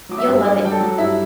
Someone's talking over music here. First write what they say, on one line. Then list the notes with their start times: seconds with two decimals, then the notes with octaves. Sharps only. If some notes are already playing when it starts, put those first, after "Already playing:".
You'll love it.
0.09 F#3 D6
0.18 E5 E6
0.27 G2
0.45 G2 D5 D6
0.63 F#3 G5
0.71 A4 A5
0.81 F#3
0.98 G2 E4 E5